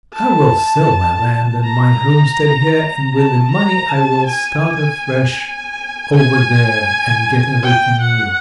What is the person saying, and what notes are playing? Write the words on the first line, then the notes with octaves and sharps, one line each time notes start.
I will sell my land and my homestead here, and with the money I will start afresh over there and get everything new.
A5
A#5
A5
A#5
A5
G#5
G#5
G5
F#5